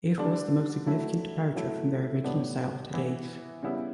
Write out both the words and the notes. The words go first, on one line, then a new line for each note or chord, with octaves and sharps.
It was the most significant departure from their original style to date.
D3 G3 D4
F#3 A3 E4
F#3 A3 E4
A2 G3 B3 D4
E3 B3 E4
C#3 G3 B3 E4